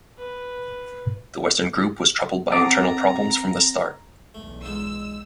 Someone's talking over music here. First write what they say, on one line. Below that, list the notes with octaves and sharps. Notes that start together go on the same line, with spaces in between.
The western group was troubled by internal problems from the start.
B4
C4 F#5 A5 A#5 D6 D#6 A6 D7
B1 E2 A3
G#3 D#4 F4 E6